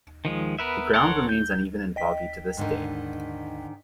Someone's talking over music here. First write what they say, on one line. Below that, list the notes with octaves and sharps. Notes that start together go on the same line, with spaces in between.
The ground remains uneven and boggy to this day.
D#3 F3 G#3
B3 A#4 B4 E5
A4 A#4 C#5 F#5 C6
G6
D#5 G5 B6
G#2 D3 D#3